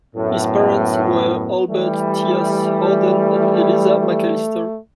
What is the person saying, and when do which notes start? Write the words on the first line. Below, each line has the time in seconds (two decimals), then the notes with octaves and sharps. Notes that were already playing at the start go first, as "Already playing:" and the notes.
His parents were Albert Tyas Harden and Eliza Macalister.
0.16 F#2 A2 B3
1.68 E3 G3 A3
3.99 A3